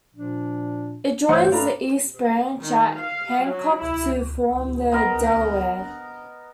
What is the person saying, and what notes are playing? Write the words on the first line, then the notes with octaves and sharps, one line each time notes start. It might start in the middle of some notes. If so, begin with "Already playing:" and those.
It joins the East Branch at Hancock to form the Delaware.
A#2 F3 D4
G2 E3 A3 C5 C#5 F#5 C6
A3 D4 F5 A#5 B5
D#3
F5
F#3
E4
B3 A#4 D#5